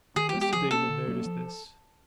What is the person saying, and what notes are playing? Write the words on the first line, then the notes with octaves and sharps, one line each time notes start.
Mr. Damon noticed this.
D#3 G#4
G4
G#3 B3
G4
F3 G#4
A#3 C#4 A4
D3
F#3 A#3 C#4
F3